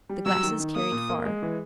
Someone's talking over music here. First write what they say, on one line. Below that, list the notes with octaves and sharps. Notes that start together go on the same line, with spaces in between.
The glasses carried far.
G3
F#3 E6
D#3
D#3
A#3 D#6
A#2
A#3
G#3
E3